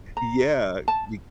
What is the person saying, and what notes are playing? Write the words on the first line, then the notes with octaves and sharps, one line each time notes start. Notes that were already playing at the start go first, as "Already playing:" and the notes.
yeah, you
A#5
A5